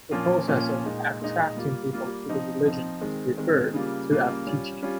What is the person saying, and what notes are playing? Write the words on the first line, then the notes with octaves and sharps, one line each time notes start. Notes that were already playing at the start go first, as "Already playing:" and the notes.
The process of attracting people to the religion is referred to as teaching.
A#2 F3 A#3 C#4 F4
A#2 F3 A#3 C#4 F4
A#2 G#3 D#4
A#2 G#3 D#4
G3 A#3 F4
G3 A#3 F4
F3 C4 D#4
F3 C4 D#4
D#3 G#3 C4
D#3 G#3 C4
C#3 G3 A#3 F4
C#3 G3 A#3 F4
G3 C#4 F4
G3 C#4 F4